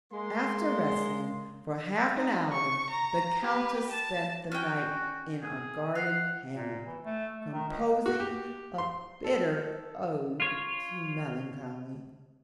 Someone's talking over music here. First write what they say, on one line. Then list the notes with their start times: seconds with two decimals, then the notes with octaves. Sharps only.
After wrestling for half an hour the Countess spent the night in a garden hammock, composing a bitter Ode to Melancholy.
0.13 G#3 A#3 C6
2.15 D#4
2.52 C#6
2.90 A#5
3.42 G4 B4
3.91 A5
4.52 C#4 F#4 G5
5.43 G#4
5.95 F5 F#5
6.54 A#2
6.86 E3
7.04 A3
7.40 A3
7.53 D#3
7.68 C#2
8.06 F#4
8.20 G4
8.78 C6
9.24 A4
10.40 F4 C#5